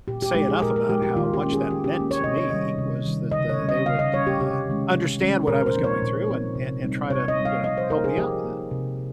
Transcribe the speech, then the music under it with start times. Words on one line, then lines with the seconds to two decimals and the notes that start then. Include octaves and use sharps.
say enough about how much that meant to me was that, uh, they would, uh, understand what I was going through and a and try to, you know, help me out with that.
0.08 A#2 G4
0.22 G4
0.35 F3 G#3 D#4 G4
0.49 G#4
0.62 A#2 A#4
0.76 A#4
0.89 F3 G#3 D#4 G4
1.02 G4
1.16 D#3 F4
1.34 G4
1.43 A#3 C#4
1.53 G#4
1.70 D#3 G4
1.84 G4
1.97 A#3 C#4
2.11 C#5
2.24 C3 D#5
2.37 C#5
2.50 D#3 G3 D#5
2.78 C3
3.06 D#3 G3
3.31 C#3 D#5
3.49 C#5
3.60 G3 C#4
3.69 D#5
3.86 C#3 F5
3.99 D#5
4.14 G3 C#4 C#5
4.27 G4
4.40 C3 G4
4.67 D#3 G#3 C#4
4.94 C3
5.21 D#3 G#3 C#4
5.47 A#2 A#4
5.66 C5
5.75 F3 C4 D#4
5.84 C#5
6.02 A#2
6.28 F3 C4 D#4
6.55 C3
6.83 G3 C4 D#4
7.10 C3 C#5
7.28 D#5
7.38 G3 C4 D#4
7.45 F5
7.64 F3 D#5
7.78 C5
7.90 A#3 D#4 A#4
8.04 G#4
8.18 F3 G4
8.45 A#3
8.50 D#4
8.71 C3